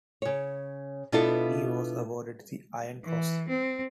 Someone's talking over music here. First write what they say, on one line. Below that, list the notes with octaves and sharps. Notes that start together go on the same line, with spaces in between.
He was awarded the Iron Cross.
C#3 C#5
B2 B3 D4 E4 F4 A4
E3
C4